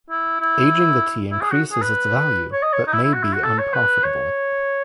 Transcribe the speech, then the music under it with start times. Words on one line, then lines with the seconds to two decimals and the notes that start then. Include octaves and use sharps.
Aging the tea increases its value, but may be unprofitable.
0.10 E4
0.41 E4
1.32 E4
1.41 G#4
1.51 F#4
1.72 G#4
1.82 B4
2.52 C#5
2.62 D#5
2.73 C#5
2.87 D#4
2.93 E4
3.03 E4
3.14 F#4
3.23 E4
3.33 F#4
3.44 A4
3.58 C#5
3.74 B4
4.04 C#5